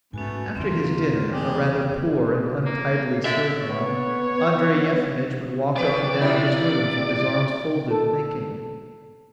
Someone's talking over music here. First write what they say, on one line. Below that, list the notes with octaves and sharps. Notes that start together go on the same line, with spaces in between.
After his dinner--a rather poor and untidily served one--Andrey Yefimitch would walk up and down his rooms with his arms folded, thinking.
G#2 A3 B3 C#4 F#4 G#5
G1 E2 D3 A#3 C4 F4
G4 G#4 D5
A#3
D3 E5
B3 C#5
E2 G4 B4 D5
C3 F3 C4 E4 G4 A#4
A4